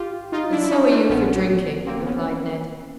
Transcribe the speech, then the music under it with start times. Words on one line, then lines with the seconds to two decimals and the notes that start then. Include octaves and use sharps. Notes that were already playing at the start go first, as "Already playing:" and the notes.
"And so are you for drinking," replied Ned.
Already playing: G#1 F4 G4
0.32 D#4 F4
0.52 D4 E4
0.63 E4
0.70 C#4 D#4
0.90 C4 D4
1.09 A#1 A#2 B3 C#4
1.86 A#3 C4
2.05 B3 C#4